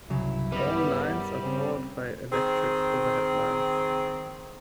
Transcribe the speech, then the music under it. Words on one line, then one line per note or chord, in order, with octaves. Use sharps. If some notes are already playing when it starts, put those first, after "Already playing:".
All lines are powered by electric overhead lines.
C2 G2 C#3 F#3 E4
C#3 G3 B3 B4 D#5
A#4
C#3 C4
D#3 C4 G#4